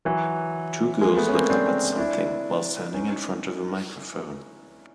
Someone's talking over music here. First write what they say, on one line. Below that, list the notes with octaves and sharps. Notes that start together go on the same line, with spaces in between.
Two girls look up at something while standing in front of a microphone.
E3 F#3
G#3 A#3
A3 B3
C#4
A#3 C4
C4 D4
C4 D4
D4 E4
C#4 D#4